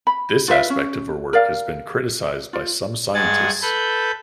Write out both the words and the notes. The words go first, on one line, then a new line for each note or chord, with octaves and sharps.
This aspect of her work has been criticized by some scientists.
B5
F4 B4 E5 F5
C#4
A#4 D5 F5
F4
G2 G#3 F#5 G#5 G#6 A6
A4 B4 B5 G6